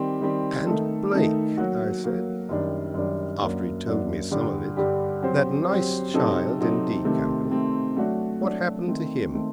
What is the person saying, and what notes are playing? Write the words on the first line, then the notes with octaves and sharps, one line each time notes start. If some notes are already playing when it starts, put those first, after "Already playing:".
"And Blake," I said, after he'd told me some of it, "that nice child in 'D' Company; what happened to him?"
Already playing: D#3 G3 C4 G4
D#3 G3 C4 G4
D#3 A3 D#4 A4
D#3 A3 D#4 A4
F#3 A#3 F#4
F#3 A#3 F#4
F#2 D#3 G3 D4
F#2 D#3 G3 D4
F#2 F#3 A#3 D4
F#2 F#3 A#3 D4
G2 D3 G3 D4 G4
G2 D3 G3 D4 G4
F#3 C4 G4 C5
F#3 C4 G4 C5
C3 F#3 C4 D#4 A4
C3 F#3 C4 D#4 A4
C3 D#3 A3 C4
C3 D#3 A3 C4
F#3 A3 D4 F#4
F#3 A3 D4 F#4
D#3 A3 C4
D#3 A3 C4